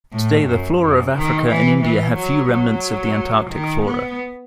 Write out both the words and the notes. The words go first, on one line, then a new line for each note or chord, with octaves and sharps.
Today, the flora of Africa and India have few remnants of the Antarctic flora.
A2
F#2
F#2
D#3
E3
E3
F#3
F#3
D#3
B3